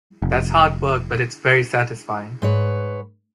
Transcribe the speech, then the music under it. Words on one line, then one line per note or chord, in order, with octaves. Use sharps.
That's hard work, but it's very satisfying.
F1
G#2 B4 C#5